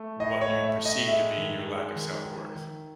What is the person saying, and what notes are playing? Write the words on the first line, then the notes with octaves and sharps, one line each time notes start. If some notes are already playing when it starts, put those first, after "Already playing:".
what you perceive to be your lack of self worth,
Already playing: A3
A2 D#5
C#5
A3
E5
A2
D#5
G#3 E5
D#3
G#3
D#3
D#3
D#3